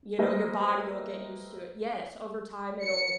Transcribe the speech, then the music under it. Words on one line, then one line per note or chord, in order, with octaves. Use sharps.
you know, your body will get used to it. Yes, over time it'll
G3 A3 A#3 B4 C5 D#5
C#7